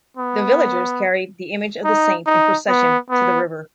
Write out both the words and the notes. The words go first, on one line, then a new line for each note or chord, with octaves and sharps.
The villagers carried the image of the saint in procession to the river.
B3
D#4
D#4
B3
B3